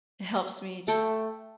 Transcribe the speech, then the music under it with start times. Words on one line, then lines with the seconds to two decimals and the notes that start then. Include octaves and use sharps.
it helps me just,
0.88 A3 A4 G5